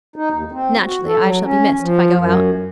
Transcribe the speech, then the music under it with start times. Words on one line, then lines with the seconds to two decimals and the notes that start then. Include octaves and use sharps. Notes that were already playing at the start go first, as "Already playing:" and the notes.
Naturally I shall be missed, if I go out.
0.16 D#4
0.31 D#2
0.52 C4
0.85 F#4
1.06 A4
1.21 F#3
1.44 C#4
1.80 F3
2.16 F#2